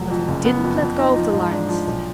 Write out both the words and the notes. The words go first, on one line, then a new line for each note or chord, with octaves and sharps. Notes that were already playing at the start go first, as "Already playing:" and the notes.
But he didn't let go of the lines!
Already playing: F1 F#3
F2
F#1
B3
F2
F2
D#4
F3
G#2
D4
F3
B1